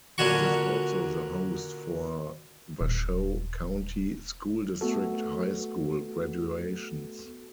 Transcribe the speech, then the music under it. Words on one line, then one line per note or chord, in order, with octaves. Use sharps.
It is also the host for Washoe County School District high school graduations.
A#2 D3 C#4 F#4 C#6
D#1
A3 B3 F#4 A4